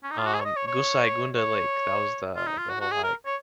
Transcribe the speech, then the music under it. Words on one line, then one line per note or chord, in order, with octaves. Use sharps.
um, Gosaikunda Lake, that was the, the whole hike,
C#4
D#4
F4
F#4
G#4
C#5
D#5
C#5
C#5
C#5
F4
D#4
F4
F#4
F#4
G#4
A#4
C#5